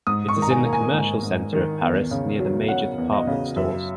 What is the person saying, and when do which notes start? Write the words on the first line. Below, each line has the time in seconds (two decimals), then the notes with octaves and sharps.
It is in the commercial centre of Paris, near the major department stores.
0.07 G#2 D#6
0.28 C#6
0.36 D#3
0.42 A#5
0.51 G#5
0.64 A#3
0.73 G#5
0.94 G#2
1.23 G#2
1.53 D#3
1.81 E2
2.11 C#3
2.40 F#3
2.68 C#4 F#5
2.98 E2
3.13 D#5
3.27 C#3
3.56 F#2 E5